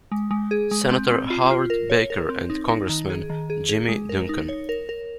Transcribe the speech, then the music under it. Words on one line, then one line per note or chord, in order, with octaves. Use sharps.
Senator Howard Baker and Congressman Jimmy Duncan.
G#3
G#3
G#4
G#3
C4
C4
F4
F4
A#4
C#5
A#4
C4
D#4
D#4
D#3
G#4
D#3
G#4
G#4
G#3
A#4
D#4
C#5
A#4
A#4